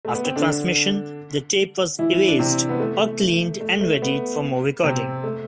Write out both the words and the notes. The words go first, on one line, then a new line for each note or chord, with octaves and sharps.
After transmission, the tape was erased or cleaned and readied for more recording.
A3
B3
C4
D3 D4
E3 E4
D4
C3 C4
B3
A3
A3
A3
B3
C3 C4
A3